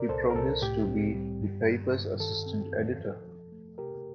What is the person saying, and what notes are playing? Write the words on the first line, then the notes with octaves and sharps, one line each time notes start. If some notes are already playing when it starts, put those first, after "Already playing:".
He progressed to be the paper's assistant editor.
Already playing: A#2 A#4 D5
C2 A4 C5
A#4
C2 A4
A2 G4
C4
G3
G2
G2
G2
D#3 A4
C4
F2
F3
F3
A3
C3 G4 A#4